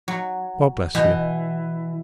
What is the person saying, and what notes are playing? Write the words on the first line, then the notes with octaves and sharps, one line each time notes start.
God bless you!
F#3
B2 E3